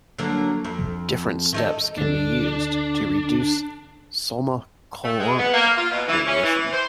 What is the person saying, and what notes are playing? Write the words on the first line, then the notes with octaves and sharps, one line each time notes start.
Different steps can be used to reduce somaclonal variation.
D3 F#3 A#3
F2
D#3 D#4 A4
D2 D3 D4 A4
A3
G#3
B3
A#3
F4
B2
E3
C#4
E3
C5